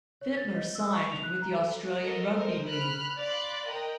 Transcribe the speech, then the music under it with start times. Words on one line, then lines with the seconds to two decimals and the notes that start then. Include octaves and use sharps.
Fittler signed with the Australian Rugby League.
0.21 C#5
0.37 A6
0.54 D#5
0.75 E6
0.93 C#6
1.12 F7
1.23 F#6
1.42 A#5
1.56 A4
2.01 A4 A#4 D#5
2.32 A#4 C5
2.67 B5 F6 F#6
3.19 D5 F5 B5 C6 F#6
3.66 A#4 D#5 G5